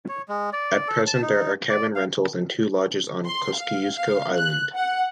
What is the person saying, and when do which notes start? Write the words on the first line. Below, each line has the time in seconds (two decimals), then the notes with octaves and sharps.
At present there are cabin rentals and two lodges on Kosciusko Island.
0.09 C#5
0.29 G#3
0.53 D5
0.88 A4
1.07 A5
1.22 D#4
1.69 D5
1.96 F5
3.24 C6
3.56 F5
3.93 F5
4.37 F#6
4.75 F#5